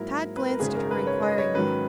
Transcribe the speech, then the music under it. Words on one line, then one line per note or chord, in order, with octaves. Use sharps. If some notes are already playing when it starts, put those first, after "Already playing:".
Tad glanced at her inquiringly.
Already playing: G#2 F#3 A#3 E4 A#4
B4
A#4
G#1 F#2 C#3 G#3 G#4
A#4
B4
C#5
D#5
C#5
G#2 D#3 F#3 C#4 B4